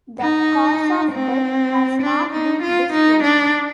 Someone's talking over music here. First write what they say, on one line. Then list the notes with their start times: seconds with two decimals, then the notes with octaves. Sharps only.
The cause of death has not been disclosed.
0.21 D#4
1.12 C4
2.02 D4
2.33 D#4
2.63 F4
2.93 D#4
3.23 D4